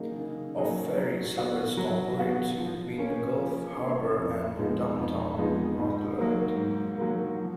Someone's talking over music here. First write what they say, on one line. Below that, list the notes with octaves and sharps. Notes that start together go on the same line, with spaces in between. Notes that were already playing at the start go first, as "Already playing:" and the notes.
A ferry service operates between Gulf Harbour and downtown Auckland.
Already playing: C#3 F#3 A#3 D#4 G#4
C#3
F#3 A#3 D#4 G#4
F#3
B3 F#4
F#3
B3 F#4
F3
A#3 C#4
F3
A#3 C#4
F2
F3 G#3 B3 D#4
F2
F3 G#3 B3 D#4
G#2
F#3 A#3
G#2
F#3 A#3
F3